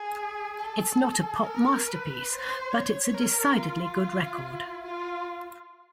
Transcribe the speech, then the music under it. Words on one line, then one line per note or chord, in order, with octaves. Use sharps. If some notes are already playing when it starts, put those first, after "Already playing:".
It's not a pop masterpiece but it's a decidedly good record.
Already playing: G#4
A4
A#4
B4
C5
C#5
A#4
F4
F4